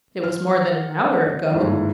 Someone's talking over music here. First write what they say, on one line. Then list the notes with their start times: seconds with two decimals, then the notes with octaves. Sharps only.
It was more than an hour ago.
0.24 F6
0.54 F#5
1.51 G1 D#2 G#2 E4